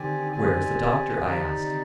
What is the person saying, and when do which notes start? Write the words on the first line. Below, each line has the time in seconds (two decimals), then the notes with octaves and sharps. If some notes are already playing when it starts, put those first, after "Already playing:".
"Where is the Doctor?" I asked.
Already playing: D3 D#3 C4 G4 D5 G#5
0.32 C3 C4 G4 D5 G#5
1.24 D#4 G4 D5